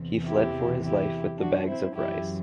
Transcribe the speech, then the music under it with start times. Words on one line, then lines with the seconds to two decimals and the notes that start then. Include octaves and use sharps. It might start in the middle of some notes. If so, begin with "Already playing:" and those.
He fled for his life with the bags of rice.
Already playing: E2 C3 E3
0.26 E4 G4
0.83 E4 G4
1.39 D4 F#4
1.67 C4 E4
1.95 F#2 E3 E4 G4